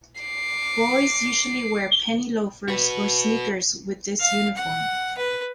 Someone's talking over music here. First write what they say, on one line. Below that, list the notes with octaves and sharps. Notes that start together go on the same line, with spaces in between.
Boys usually wear penny loafers or sneakers with this uniform.
D6 C7
F#4 B4
F5
F#5
B4